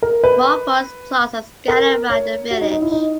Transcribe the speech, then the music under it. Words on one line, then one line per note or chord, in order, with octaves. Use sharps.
Small forest plots are scattered round the village.
A#4
B4
A#4
C#5
F#4
D#4
D#4
E4
D#4